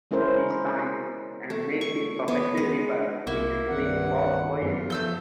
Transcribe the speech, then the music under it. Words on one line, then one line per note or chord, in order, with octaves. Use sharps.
He signed and made his professional debut with the Great Falls Voyagers.
G#3 C#4 E4 A#4 C5
A3
C#6
B3
G#3
C2 A#3 E4
G2 D#3 C4 F#5
F#2 B3 D#4 F4 B4
F3 A3 E6 G6